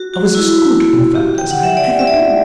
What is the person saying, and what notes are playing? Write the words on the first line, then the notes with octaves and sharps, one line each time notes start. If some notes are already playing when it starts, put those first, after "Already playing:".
I was as good, in fact, as I had ever been.
Already playing: F#4
F#4
E4
G4
G5
F#5
E5
D5
E5
D5